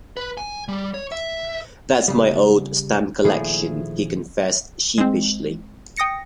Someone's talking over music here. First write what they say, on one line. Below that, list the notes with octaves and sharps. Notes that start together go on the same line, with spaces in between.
"That's my old stamp collection," he confessed sheepishly.
B4
G#5
G3
C#5
E5
C#3 G3
A#2 D#3 F3 A3 E4 G#4
G#3 C4
G5 D#6 A#6 C#7